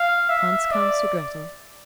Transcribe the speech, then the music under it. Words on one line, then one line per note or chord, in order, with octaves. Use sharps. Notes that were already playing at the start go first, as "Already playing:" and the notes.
Hans comes to Grettel.
Already playing: F5
E5
D5